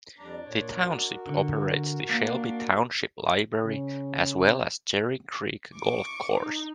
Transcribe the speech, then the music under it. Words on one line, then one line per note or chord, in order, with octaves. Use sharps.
The Township operates the Shelby Township Library as well as Cherry Creek Golf Course.
F2 G3 D4 A#5
A#2 C#5
F#4 A#4
D3
A#3 D4
C#3
C#6 D6
D#4